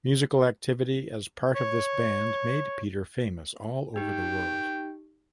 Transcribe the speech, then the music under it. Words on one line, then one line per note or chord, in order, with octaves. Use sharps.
Musical activity as part of this band made Peter famous all over the world.
C#5
D#4 G4 G5